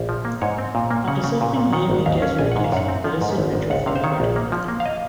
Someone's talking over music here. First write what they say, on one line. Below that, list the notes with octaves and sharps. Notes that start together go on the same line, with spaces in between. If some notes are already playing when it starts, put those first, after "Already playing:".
After suffering heavy casualties, the Russians withdrew from the battlefield.
Already playing: A#1
F3
A#3
G#2 C#5
C4
A#2
A#3
C#3 F#5
C#3
A#2
A#2
D#3 F#5
G#1
D#2 F5
C#4
A#1 G#5
G#2 F#5
F5
F#2 F#5
C4
F3
G#2
G#1
G#1
C#2 F#5
C3 F5
C5
D#3 C#5
A#1
A#3
F3
A#3
F5
D#5